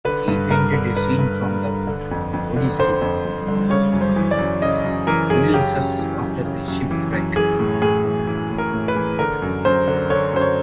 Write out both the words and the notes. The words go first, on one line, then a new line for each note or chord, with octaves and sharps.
He painted a scene from "The Odyssey", "Ulysses after the Shipwreck".
D3 B4
G2
G2 A#4
D3
D3 B4
G2
G2
D3
D3
F2
F2
D3
D3 C5
F2
F2
D3
C#3 C#5
F#2
C5
E3
D5
F#2
C#3 D#5
F#2
E3 A#4
F#2 G#4
C#3 G4
F#2
E3
F#2
C#3
F#2
E3
F#2
E3 G#4
A2
A2 G#4
E3
E3
A2
A#4
A2
B4
E3
D3 A#4
F#2
F#2 C5
D3
D3 C#5
F#2 C5
C#5